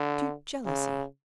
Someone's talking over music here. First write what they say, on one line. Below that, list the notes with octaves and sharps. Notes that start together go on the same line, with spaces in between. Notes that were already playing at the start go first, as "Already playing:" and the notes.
"To jealousy?"
Already playing: D3
C#3